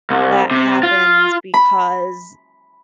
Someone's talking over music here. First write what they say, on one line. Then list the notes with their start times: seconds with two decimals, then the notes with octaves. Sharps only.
that happens because
0.10 C2
0.51 C3
0.83 F4
1.54 B5